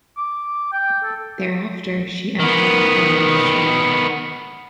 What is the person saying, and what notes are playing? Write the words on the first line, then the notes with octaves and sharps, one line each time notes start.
Thereafter she entered the film industry.
D6
G5
A4
D#3 B3